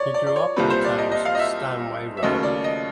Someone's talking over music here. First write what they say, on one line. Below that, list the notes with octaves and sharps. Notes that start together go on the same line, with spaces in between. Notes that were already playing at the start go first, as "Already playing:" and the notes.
He grew up in the town's Stanway Road.
Already playing: C#5 D5
D5
D5
C#5
C2 A#2 G3 C4 B4
C5
D5
D#5
D#5
F5
D#5
E5
E5
D#2 C#3 F#3 A3 D#5
D5
D#5